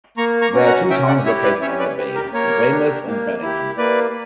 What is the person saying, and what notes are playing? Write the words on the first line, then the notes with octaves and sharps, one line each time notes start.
There are two towns located on the bay: Weymouth and Bellingham.
A#3 A#5 C#6
A#5 C#6
C#4 F#4
F#5 A#5
C#4 E5 G5
D5 F#5
E4 G4 C#5 E5
B4 D5
C#4 C#5 E5
B4 D5
G4 B4
A#4
A#3 A#4 C#5
D4 G4
A#3
E4 G4
A#3 B4 D5